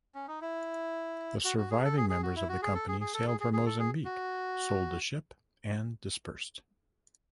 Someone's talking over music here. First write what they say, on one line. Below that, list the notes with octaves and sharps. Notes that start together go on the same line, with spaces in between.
The surviving members of the company sailed for Mozambique, sold the ship and dispersed.
C#4
D#4
E4
F#4
F#4
G#4
A4
G#4
G#4
F#4
E4
F#4
G#4
A4
G#4
G#4
A4
G#4
G#4
G#4
A4
G#4
F#4